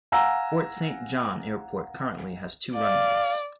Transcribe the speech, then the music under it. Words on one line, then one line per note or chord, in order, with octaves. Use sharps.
Fort Saint John Airport currently has two runways.
F5 F#5 G#5 A#5 E6
D5 F5